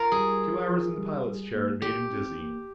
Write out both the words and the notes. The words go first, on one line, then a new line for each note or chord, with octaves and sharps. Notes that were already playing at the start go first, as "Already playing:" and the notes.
Two hours in the pilot's chair had made him dizzy.
Already playing: F4 A#4
G3 G#4
F3
G3
G3
A#3
A#3 G4
C4
A#3